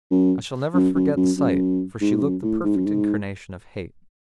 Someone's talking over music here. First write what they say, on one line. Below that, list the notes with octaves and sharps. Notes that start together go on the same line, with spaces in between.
I shall never forget the sight, for she looked the perfect incarnation of hate.
F#2
F#2
F#2
F#2
F#2
G#2
G#2
F#2
A2
G#2
F#2
G#2